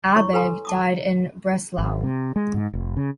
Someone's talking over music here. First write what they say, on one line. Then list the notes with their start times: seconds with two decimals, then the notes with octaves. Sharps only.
Abegg died in Breslau.
0.16 E4 C#5 C#6
0.33 A4 B4 G#5 A#5 C6
0.65 A5 D6 D#6
1.78 G#1
2.04 C3
2.36 G#3
2.54 G#2
2.73 F1
2.97 C#3